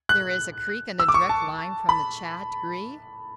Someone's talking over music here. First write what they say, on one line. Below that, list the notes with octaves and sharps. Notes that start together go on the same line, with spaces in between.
"There is a creek in a direct line from the 'Chat Gris'?"
F#6
E6
D6
C#6
A5
B5